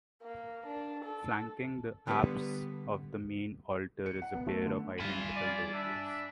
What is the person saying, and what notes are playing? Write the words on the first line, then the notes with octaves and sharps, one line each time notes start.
Flanking the apse of the main altar is a pair of identical doorways.
A#3
D4
A4
D3 G3 B3 G4 B4
C#7
F#5
B3
A3
D3
G2 G3 F4 G#5 B5
D5
D4 E5